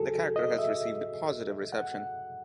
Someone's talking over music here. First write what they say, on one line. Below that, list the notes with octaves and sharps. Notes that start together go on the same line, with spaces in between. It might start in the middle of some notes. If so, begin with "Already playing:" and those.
The character has received positive reception.
Already playing: D#2 C#3 F#3 F#4 G#4 A4
D#5
E5
F#5